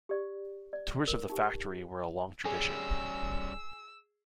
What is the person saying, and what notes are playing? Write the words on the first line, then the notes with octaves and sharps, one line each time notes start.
Tours of the factory were a long tradition.
G4 D5 C#6
D5
A#4
D#4 G4 G#5
G3 C#4 G#4 E6